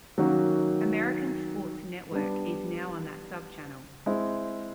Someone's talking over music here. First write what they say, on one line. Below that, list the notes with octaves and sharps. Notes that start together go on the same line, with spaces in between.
American Sports Network is now on that subchannel.
D#3 F#3 A#3 C#4 F#4
G3 B3 D4
G#3 C4 E4